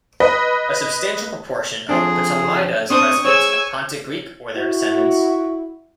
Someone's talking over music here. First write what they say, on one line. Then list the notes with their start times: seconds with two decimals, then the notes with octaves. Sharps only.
A substantial proportion of Ptolemaida's residents are Pontic Greek or their descendants.
0.20 B4 D#5 B5
1.89 F2 F3 C4 D4 G#4
2.90 C4 D4 C5 C#6 D#6
3.25 G#4 C5 C#5 G#5 E6
4.55 E4 F#4